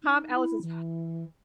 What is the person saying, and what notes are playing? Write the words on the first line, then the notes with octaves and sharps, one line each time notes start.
Tom Ellis is h
D#4
E4
E3